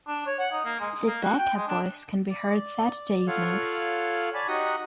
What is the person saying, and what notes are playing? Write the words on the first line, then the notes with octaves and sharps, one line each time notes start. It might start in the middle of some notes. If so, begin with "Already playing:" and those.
The Baka Boyz can be heard Saturday evenings.
D4
C#5
F#5
D#4
A#3
G#3
D#5
A#3
F#4
G5
G#3
D4
D5
F4 A4 C#5 F5 F#5 F6
C#5 D5 G#5 A5 B5
D#4 F#4 G4 D#5 F#5 D#6